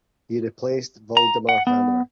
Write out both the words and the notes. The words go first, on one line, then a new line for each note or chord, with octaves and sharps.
He replaced Voldemar Hammer.
A#5
F#5
B3